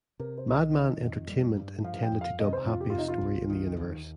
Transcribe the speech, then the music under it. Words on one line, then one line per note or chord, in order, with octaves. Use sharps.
Madman Entertainment intended to dub Happiest Story in the Universe!
C3 A#4
C5
C2
D#5
D#3
F2
G3
G2
F3 F5
F5
G5
F2
F5
C3 D#5
C5
F2 F4
G4
F4
C3 D#4
F4
C2
D#3
D#2